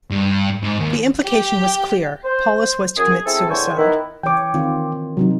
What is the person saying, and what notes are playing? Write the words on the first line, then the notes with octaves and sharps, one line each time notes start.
The implication was clear: Paulus was to commit suicide.
G2
G#2
D#2
G4
C5
F#2 G#4
C4 E4 G#4 A4
E2 A2 D3 C5 G#5 C#6
D#3 B3 E4
E3 C#5 G5 D6
D#3 C4 F4
C3 F#3 C4 D#4